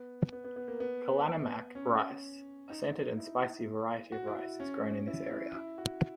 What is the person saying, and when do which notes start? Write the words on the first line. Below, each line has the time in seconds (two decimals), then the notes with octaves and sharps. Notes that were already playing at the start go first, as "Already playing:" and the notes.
Kalanamak rice, a scented and spicy variety of rice is grown in this area.
Already playing: B3
0.33 B3
0.44 B3
0.56 B3
0.68 A#3
0.80 B3
1.75 C#4
2.70 D#4
3.17 E4
4.12 F#4
4.27 E4
4.60 C#4
5.07 E4
5.31 E4
5.54 E4
5.78 F#4